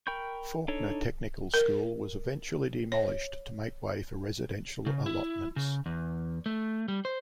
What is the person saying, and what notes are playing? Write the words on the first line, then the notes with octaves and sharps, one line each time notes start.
Fawkner Technical School was eventually demolished to make way for residential allotments.
A#4 G5 B5 C#6 G6
D4 D#4 A4 C#5
A#4
C#5
C#3
E4
C#3
E2
A3
G3
C5